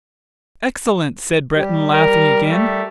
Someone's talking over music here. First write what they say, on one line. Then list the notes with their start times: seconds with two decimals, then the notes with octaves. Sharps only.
"Excellent!" said Breton, laughing again.
1.56 G3 G4
1.94 A#4
2.51 A3